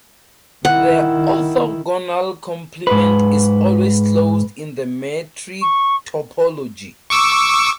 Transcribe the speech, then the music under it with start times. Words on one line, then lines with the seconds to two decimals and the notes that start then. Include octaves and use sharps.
The orthogonal complement is always closed in the metric topology.
0.65 D#3 E4 F#5
2.87 G#2 B4
5.61 C#6
7.10 C#6 D6 E6